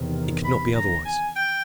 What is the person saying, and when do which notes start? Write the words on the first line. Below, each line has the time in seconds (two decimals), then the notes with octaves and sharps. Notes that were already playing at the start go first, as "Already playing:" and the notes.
It could not be otherwise.
Already playing: E2 C3 D#3
0.45 B5
0.75 A#5
1.05 G#5
1.36 G5